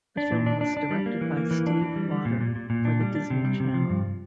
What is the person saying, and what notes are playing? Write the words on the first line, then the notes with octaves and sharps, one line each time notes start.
The film was directed by Steve Loter for the Disney Channel.
D4
A#2
D4
D4
D4
G3
A#3
E3
A#3
E3
D4
E3
G3
G3
A#2
A#2
A#2
A#2
D4
G3
D4
C3
G3
C3
F3
G2